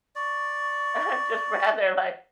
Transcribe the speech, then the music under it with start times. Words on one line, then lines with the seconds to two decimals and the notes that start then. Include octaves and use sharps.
I'm just rather, like,
0.15 D5 C#6